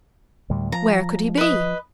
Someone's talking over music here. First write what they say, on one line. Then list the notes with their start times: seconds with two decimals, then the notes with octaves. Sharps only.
Where could he be?
0.50 D2 A2 G3
0.72 F3 A#5
1.37 B4 D#5